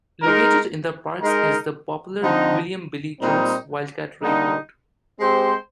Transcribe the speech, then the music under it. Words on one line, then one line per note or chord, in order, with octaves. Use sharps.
Located in the parks is the popular William "Billy" Jones Wildcat Railroad.
G#3 D#4 A#4
G#3 D#4 A#4
D3 F3 C4 D#4
A#2 G3 C4 D#4
D3 G3 A#3 D#4
G#3 C4 G4 C5